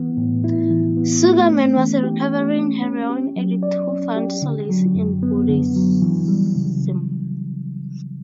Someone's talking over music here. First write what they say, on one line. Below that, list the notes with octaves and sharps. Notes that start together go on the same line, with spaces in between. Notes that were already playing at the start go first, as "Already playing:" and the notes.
Sugerman was a recovering heroin addict who found solace in Buddhism.
Already playing: E3 B3
A2
E4
E3
B3
A3
C#4
E3
G4
A3
C#4
C#4
G4
F#3
D5
C#4
G4
D3
F#3
F#2
B3
D3
F#3
E3
G3
C#3